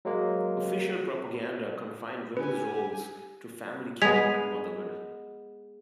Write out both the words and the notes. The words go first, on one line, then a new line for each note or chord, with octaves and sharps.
Official propaganda confined women's roles to family care and motherhood.
F#3 G#3 A#3
G4 B4 G#5
G#3 B3 G#6 B6 F7